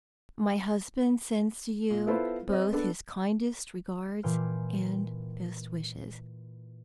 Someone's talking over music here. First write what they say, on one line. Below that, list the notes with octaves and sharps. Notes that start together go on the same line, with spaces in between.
My husband sends to you both his kindest regards and best wishes.
A#2
B3 E4 F4 A4 B4 C5
C4 D#5
B3 D4 A4
A#2 E3 G5 G#5 C6 F6